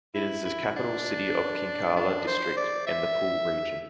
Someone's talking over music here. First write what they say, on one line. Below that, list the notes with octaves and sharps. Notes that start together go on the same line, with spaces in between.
It is the capital city of Kinkala District and the Pool Region.
E4
E4
D4
D4
C5
D5
E5